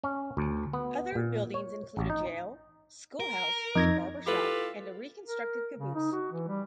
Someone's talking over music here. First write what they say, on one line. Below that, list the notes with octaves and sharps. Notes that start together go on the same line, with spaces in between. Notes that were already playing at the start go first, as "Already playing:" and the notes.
Other buildings include a jail, schoolhouse, barbershop, and a reconstructed caboose.
C#4
D2
B3
A#2
C#5
A1
D#4
A#4
F2 D#4 G#6 A#6
E4 F4 G4 A4 B4
A#4
C#3
D#4
F#4
E3
G3